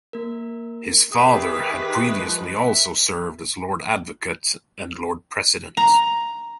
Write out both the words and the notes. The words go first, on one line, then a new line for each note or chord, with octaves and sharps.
His father had previously also served as Lord Advocate and Lord President.
A#3 A#4
D#3 G4 G#4 B4 E5 D#6
F3 G#3
E5
A#5